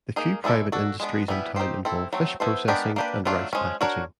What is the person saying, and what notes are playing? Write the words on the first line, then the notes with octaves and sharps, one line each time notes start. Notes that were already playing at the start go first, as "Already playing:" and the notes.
The few private industries in town involve fish processing and rice packaging.
A#3 D#4 G#4
G#3 B3 E4 A4 D5
D4 F#4 A4
G#3 B3 D4
E3 G3 B3 E4
C4 D#4 G4 C5
C4 E4 A4
F#3 A3 C4
B3 E4 A4 C5
G#3 B3 D4 G4 A#4
A#3 D4 G4 B4
F#3 A3 D4 F4
F3 G#3 C#4
D4 F#4 A#4 C#5